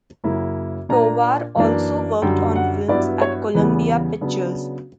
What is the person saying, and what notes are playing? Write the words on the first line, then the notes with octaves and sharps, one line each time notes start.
Tovar also worked on films at Columbia Pictures.
F#2 C#3 F#3 A#3 E4
A#2 A#3 D4 A#5
F#2 E3 A#3 D4
F#2 D3 G3 G5
F#5
G2 F#3 B3 E4 D5
C#5
E2 C#3 E3 G3 B3 B4
C#3 F#3 B3 D4